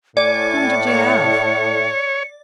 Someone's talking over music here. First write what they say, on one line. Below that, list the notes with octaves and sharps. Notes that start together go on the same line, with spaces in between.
Whom did you have?
A2 D5 G#5 C#7
C#5